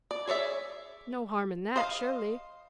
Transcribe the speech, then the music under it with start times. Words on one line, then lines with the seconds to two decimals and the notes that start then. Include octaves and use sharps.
"No harm in that, surely."
0.11 D5
0.27 G#4 C#5 D5 E5
1.76 C5 D#5 F5